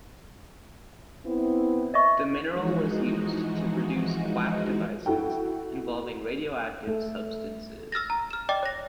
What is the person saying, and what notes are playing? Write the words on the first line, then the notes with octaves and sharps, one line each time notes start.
The mineral was used to produce quack devices involving radioactive substances.
B3 C4 E4
D#5 E5 C#6
E3 F3 G#3 D#4 F#4
E4 F#4 A4 G5
A3 A4
E6 F6 A6 A#6
A#5
F6 E7
D5 D#5 G5 D6 A6
C#5 A#6